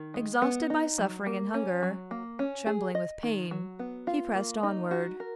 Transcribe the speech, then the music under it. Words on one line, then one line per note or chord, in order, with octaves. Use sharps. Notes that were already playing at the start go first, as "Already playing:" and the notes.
Exhausted by suffering and hunger, trembling with pain, he pressed onward.
Already playing: D#3
G#3
B3
D#4
F#3
A#3
C#4
F#3
A#3
C#4
G#4
D#5
D#3
F#3
B3
F4
A#3
D#4
F#4
A#4